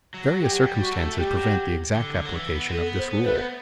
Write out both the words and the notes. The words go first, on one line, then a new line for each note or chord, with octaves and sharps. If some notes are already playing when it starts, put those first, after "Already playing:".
Various circumstances prevent the exact application of this rule.
F#3
F#3 G4
A3
G3
F#4
A3
A3
G3 G4
F#3
D3
D3
F#3
E3
B3
C4
B3 A4
C5
B3
A3 B4
B3